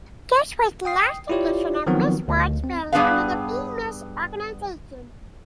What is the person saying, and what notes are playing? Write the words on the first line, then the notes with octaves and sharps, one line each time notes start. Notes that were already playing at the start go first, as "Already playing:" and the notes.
This was the last edition of Miss World Spain under the Be Miss Organization.
G5 D#6 C7
E4 F4 G4 C#5 D5
D#3 F3 F#3 B3 C4 F#4
D2
C4
G2 B3 D4 G#4 B4 F5